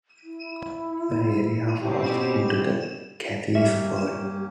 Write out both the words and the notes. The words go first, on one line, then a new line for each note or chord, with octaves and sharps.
The area falls into the Cathays ward.
E4
B2 C4 C#4 G4
G2 G3 A#3 C#4 G4 E5